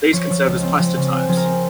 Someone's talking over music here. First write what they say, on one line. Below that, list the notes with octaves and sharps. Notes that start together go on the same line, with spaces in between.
These can serve as plastotypes.
F3 C#5
F3
C#2
C4
F3
C#3
C4 C5
F3 G#4
A#4
C4